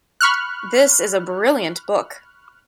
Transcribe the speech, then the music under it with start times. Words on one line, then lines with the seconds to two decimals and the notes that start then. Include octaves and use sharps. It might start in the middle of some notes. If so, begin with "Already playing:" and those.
This is a brilliant book.
0.21 B5 C#6 F6 F#6